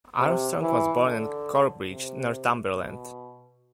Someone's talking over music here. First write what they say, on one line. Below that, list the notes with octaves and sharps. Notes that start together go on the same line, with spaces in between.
Armstrong was born in Corbridge, Northumberland.
C3
E3
D3
C3
B2